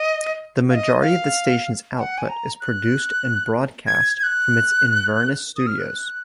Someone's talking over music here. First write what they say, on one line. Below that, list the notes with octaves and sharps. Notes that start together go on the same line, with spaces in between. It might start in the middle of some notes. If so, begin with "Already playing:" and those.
The majority of the station's output is produced and broadcast from its Inverness studios.
Already playing: D#5
F5
D#5
F5
G#5
F#5
G#5
A#5
F#6
G#6
G#6
F#6
D#6
F6
F#6